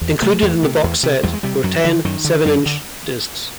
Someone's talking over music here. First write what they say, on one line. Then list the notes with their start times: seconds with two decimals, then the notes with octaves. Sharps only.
Included in the boxset were ten seven-inch discs.
0.01 E2
0.22 C3 A3
0.42 E2
0.63 C3
0.84 E2
1.03 C3
1.23 E2 G3
1.33 G#3
1.43 C3 G3
1.64 F#2 F#3
1.84 D3 F3
2.05 F#2 D#3
2.25 D3
2.46 F#2 D3
2.66 D3